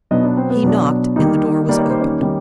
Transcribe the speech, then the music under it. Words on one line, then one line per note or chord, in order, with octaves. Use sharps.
He knocked and the door was opened.
B2 F#3 B3 D4 D#4 D#5
D4 D5
C4 C5
B3 B4
B2 F#3 B3 D4
D#3 G3 A#3 D#4
D#3 G3 A#3 D#4 D5
C#5
C5
C#4 C#5
D#3 G3 A#3 D#4